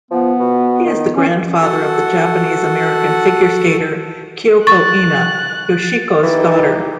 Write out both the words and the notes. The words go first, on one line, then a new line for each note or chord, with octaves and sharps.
He is the grandfather of the Japanese-American figure skater Kyoko Ina, Yoshiko's daughter.
F3 B3
B2
D#3
C#4
F#4 A4 F#5
C#6 F#6 A6
E3 D#4 G4